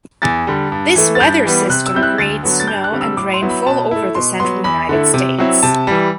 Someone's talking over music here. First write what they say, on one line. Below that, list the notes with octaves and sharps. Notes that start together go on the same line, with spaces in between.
This weather system creates snow and rain fall over the central United States.
E2 A6
D3 G3
G2
E3 A3
A6
G2 G6
E3 G3 B3
C3 F#6
E6
G3 C4 E4 G6
F#6
D2 A6
D3 F#3 B3
A6
G2 G6
F#6
D3 G3 C4
E6
A2 D6
C6
F#3 B3 E4
B5
B2 A5
A3 E4
B2 C6
F#3 B3 C6
E2 B5
D3 A3 E4
C3
F#3 C4 E4
C3 A5
E3 G3